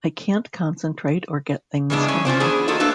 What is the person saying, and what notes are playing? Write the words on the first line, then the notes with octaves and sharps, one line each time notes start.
I can't concentrate or get things done.
C#3 E3 G#3 B3 D4
C#4
C#4 F4 C5 D5
E3 B3 D4 G#4 C5
A#3 F4 F#4 A4 D#5
A3 A#3 D4 A4 B4